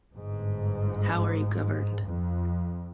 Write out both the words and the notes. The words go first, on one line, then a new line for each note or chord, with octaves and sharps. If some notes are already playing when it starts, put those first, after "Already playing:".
How are you governed?
G1 G#2
F2